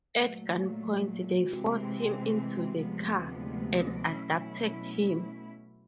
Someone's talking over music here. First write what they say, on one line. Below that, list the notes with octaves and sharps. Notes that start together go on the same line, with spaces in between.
At gunpoint, they forced him into the car and abducted him.
A#2 F#3 A3
C3 E3 G#3 C4
D2 C3 F3 G#3 B3
B2 F#3 A3 C#4 E4